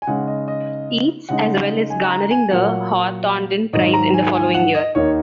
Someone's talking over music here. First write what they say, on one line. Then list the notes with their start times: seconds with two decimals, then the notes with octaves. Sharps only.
Yeats, as well as garnering the Hawthornden Prize in the following year.
0.02 G#5
0.07 C#3 G#3 D#4 F#5
0.28 D#5
0.48 D#5
1.29 C#3 G#3 D#4 F#5
1.90 G#5
2.11 A#5
2.31 G#5
2.51 A#2 F#3 A#3 F#5
3.73 G#2 D#3 F#3 D#5
3.93 A#5
4.14 G#5
4.34 G#5
4.54 F#5
4.75 D#5
4.95 D#2 D#3 A#3 D#4 C#5